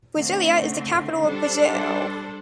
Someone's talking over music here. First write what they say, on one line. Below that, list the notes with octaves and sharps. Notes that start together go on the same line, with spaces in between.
Brasília is the capital of Brazil.
D3 A3 C4
G3 D4 A4 C5